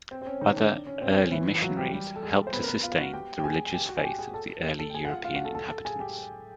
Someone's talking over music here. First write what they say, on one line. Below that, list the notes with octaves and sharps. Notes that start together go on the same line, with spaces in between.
Other early missionaries helped to sustain the religious faith of the early European inhabitants.
C4
C4
C#4
D#3 D#4
D3 D4
C#4
C4
C#4
E3 E4
F4
F#3 F#4
G3 G4
G3 G4
A4
G#3 G#4
C5
B3 B4
A#4
B3 B4
F4 F5
F#4 F#5
G4 G5
G5
G#4 G#5
G#5
G4 G5
F#4 F#5
G#5
G4 G5
G#4 G#5
A4 A5
A4 A5
G5
G#4 G#5
F#5
F4 F5
F4 F5
F#4 F#5
A4 A5
A4 A5
A4 A5
G#4 G#5
G4 G5